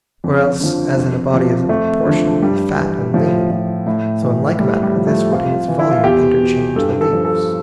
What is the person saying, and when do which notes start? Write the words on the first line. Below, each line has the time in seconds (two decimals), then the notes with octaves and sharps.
Or else, as in a body is apportioned The fat and lean, so in like manner this Would in its volume interchange the leaves.
0.24 F2
0.61 D3 F3
0.97 F2
1.34 C3 F3
1.69 F2 A3
2.05 D3 F3
2.42 G2 G3
2.78 E3
3.14 A2 F3
3.50 F3
3.86 A2
4.22 E3
4.59 A2 G3
4.83 G3
4.96 F3
5.07 A3
5.32 F2 F4
5.68 E3
5.79 E4
5.91 F4
6.04 E2 G4
6.40 B2
6.76 G2 A4
7.01 A4
7.13 F3
7.25 A4